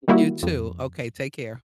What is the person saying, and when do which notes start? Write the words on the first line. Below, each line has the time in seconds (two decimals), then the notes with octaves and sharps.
You too, okay, take care.
0.08 D#3 G3 A#3 E4 F#4
0.43 F2